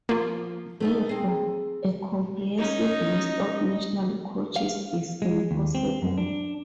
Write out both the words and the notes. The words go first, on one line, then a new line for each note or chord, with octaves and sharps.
Therefore, a comprehensive list of national coaches is impossible.
F3 A#3 F4
A3 B3 D#4
C4 G#4
C#4 D#4 D#5
F5
G#3
D#2
C4
F#2
D4